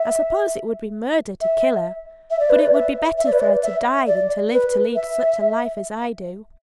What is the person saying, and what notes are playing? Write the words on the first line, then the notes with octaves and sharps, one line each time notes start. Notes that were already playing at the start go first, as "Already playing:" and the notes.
I suppose it would be murder to kill her, but it would be better for her to die than to live to lead such a life as I do.
Already playing: E5
E5
E5
D5
B4
D5
E5
E5
D5
B4
D5
E5
D5
B4
E5